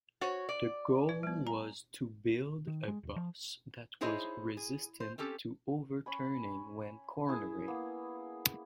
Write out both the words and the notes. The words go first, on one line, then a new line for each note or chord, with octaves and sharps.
The goal was to build a bus that was resistant to overturning when cornering.
F#4 C5 C#5 F#5
D5
E4 B4
G3 B3
G#5 A#5
D#3
G#3
D#1
F3
D#4 E4 G#4 C5 C#5 D#5
G#4
C5
C4 C#4 G4 A4
C#4 G#5 B5
E4 G#4
A#3 B3